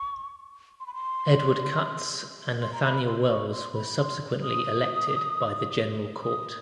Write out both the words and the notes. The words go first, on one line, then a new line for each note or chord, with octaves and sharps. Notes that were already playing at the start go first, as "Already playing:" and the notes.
Edward Cutts and Nathaniel Wells were subsequently elected by the General Court.
Already playing: C#6
C6
B5
C6
C6
A#5
B5
C6
C#6
C6
B5
C6
D#6
D#6